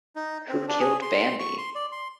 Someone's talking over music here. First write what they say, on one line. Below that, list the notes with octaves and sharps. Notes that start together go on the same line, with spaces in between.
Who killed Bambi?
D#4
C4
D4
G#4
C6
C#6
C6
D5
C6